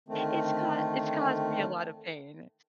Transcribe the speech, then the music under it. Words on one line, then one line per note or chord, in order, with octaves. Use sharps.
It's cau it's caused me a lot of pain.
D3 D#3 A3 C4